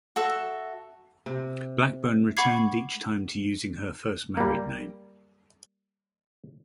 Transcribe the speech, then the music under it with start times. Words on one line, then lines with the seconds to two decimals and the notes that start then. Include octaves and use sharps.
Blackburn returned each time to using her first married name.
0.16 F#4 A4 E5
1.26 C3
2.37 F#5 B5 C#6 D6 G#6 C7
4.37 G3 A#3